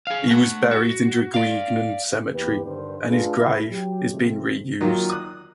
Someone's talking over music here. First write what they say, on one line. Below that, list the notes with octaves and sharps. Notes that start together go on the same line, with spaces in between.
He was buried in Draguignan cemetery and his grave has been re-used.
G#4 F5
A3 F#5
F#4
D5 F5
E2 A#3 G4 B4
G2 D3 D#3 G3 C5
A3 D4 F4 G#4 A4 B4
A1 G#2 E3 E4
F#3 G4
C3 D#3 F3 G#3 A3 C4
D#3 F#3 A#3 F4
D#6 F#6